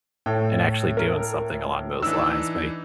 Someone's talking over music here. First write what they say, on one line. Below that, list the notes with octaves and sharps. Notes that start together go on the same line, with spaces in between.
and actually doing something along those lines. My
A2 G5
A#4
E3 D4 D#4 E6